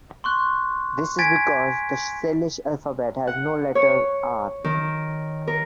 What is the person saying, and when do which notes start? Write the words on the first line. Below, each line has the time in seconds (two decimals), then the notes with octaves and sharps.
This is because the Salish alphabet has no letter "r".
0.24 C6 C#6 F#6
1.19 G#5 G#6 A6 B6 D7
3.27 F#5
3.75 C#5
4.64 D#3
5.47 A#4